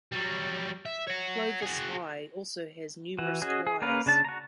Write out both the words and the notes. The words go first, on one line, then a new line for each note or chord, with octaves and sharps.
Clovis High also has numerous choirs.
F#3 G3
E5
C#5 F#5
F#4 G#4
E3 F#4
C#4 F#4 G#4 D#5
G#4
A#3 C#4 A#4 B4 F5
C#3 D4 A5
F#4 A#5